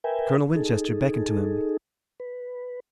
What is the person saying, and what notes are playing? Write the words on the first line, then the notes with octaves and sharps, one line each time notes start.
Colonel Winchester beckoned to him.
A#4 B4 E5 G5 G#5
D#4 G#4 A4
B4